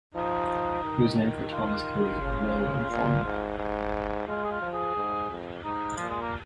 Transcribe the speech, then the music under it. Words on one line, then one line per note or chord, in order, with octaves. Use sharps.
It was named for Thomas Cody, a railroad foreman.
F3 D#4
D#3
F4
C#3
A#2
G#2
G#2
G#3 F4
G#4
F4
F3
G#4
G#2
F2
G#2 D#4
A#2 F3
G#3
A#3